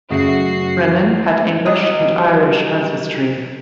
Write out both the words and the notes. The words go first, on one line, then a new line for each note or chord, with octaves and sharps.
Brenan had English and Irish ancestry.
F#2 C#3 F#3 A3 F#4 G#4 E5 C7
F#3 G3 D#5